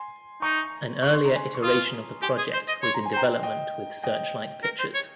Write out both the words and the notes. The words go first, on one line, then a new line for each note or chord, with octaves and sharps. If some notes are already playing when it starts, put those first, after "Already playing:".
An earlier iteration of the project was in development with Searchlight Pictures.
Already playing: G#5 C6
D#4 A#5 C#6
C#6
C6
A#5
G#5 C6
C#6
F4 C6 D#6
G4 G#5 C6
G#4
C5
D#5
C#5 C6
A#5
G#5
C5 G5 A#5
D#5 G5
D#5 G5
A#4
C5
C#5